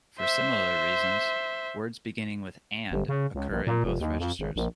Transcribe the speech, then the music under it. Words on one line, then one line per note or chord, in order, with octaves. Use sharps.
For similar reasons, words beginning with and occur in both registers.
C5 E5
G1
C#3
C#2
A#1
A#2
F1
D#2
F2
G#1
A#1